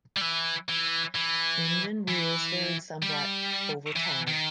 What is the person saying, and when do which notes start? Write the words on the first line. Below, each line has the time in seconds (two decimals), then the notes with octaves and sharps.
Engine rules varied somewhat over time.
0.17 G3
0.21 E3
0.69 E3
1.15 E3
2.08 E3
3.02 G3
3.96 E3
4.28 D#3